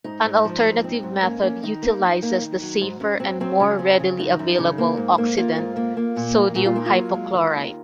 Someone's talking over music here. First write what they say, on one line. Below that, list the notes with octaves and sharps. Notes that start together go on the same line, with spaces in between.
An alternative method utilizes the safer and more readily available oxidant sodium hypochlorite.
G#2 D#4
G#2
F3
G#2
C4
G#2
A#3 C#4
A#3 C#4
D#3 D#4
A#3
F#2
A#3
D#3
F#3
G#2
G#2 C#4
F#3 C4
F#3 C4
C#3 C#4
C4
C#3
F#2 D#4
F#2
C#3
A#3
G#2
A#3
A#3 F4
G#2
A#3
A#3
A#2
A#3
A#2 F#4
F4
A#3 D#4
F4
F#3
G#3
D#3
D#2